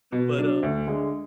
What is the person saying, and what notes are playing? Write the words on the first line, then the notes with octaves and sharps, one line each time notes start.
But, um
B2
F#3 D4
D2
D3 G#3